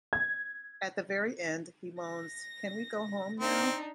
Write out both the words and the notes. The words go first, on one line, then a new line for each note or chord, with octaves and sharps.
At the very end, he moans Can we go home now?
G#6
A#6
C4 D4 D#4